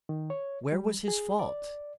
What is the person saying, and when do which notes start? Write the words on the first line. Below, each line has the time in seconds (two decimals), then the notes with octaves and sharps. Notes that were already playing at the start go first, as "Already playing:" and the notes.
Where was his fault?
0.09 D#3
0.30 C#5
0.72 G3
1.08 G#4
1.39 D5